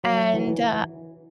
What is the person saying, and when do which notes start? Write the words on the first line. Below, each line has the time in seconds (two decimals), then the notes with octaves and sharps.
and, uh
0.04 F#3
0.34 E3
0.48 E3